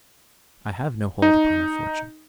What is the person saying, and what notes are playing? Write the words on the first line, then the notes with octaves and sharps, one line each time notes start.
"I have no hold upon her fortune."
D#4